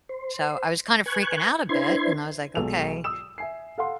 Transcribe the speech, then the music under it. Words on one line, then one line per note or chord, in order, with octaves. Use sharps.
so I was kind of freaking out a bit, and I was like, "Okay,
C5
B4 G#5 C#6 F#6 G#6
D4 E4 B4 C5 C6 G#6
B1 F#3 G#3 A4 F7
D#6 E6 E7
E5 G#5 C7
A4 F5 F#5 C6